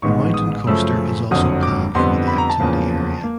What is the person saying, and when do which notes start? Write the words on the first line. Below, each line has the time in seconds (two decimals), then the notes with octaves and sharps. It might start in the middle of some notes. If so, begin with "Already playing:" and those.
A mountain coaster is also planned for the activity area.
0.02 A1 G#2 D#3 G#3 B3 C#6
0.34 D#6
0.67 F#2 C#3 F3 A3 E6
1.31 F#1 F2 D3 F#3 D#6
1.63 D6
1.95 F2 D3 G3 B3 C6
2.27 B5
2.38 A#5
2.50 A5
2.59 E2 C#3 F3 A#3
3.23 A#3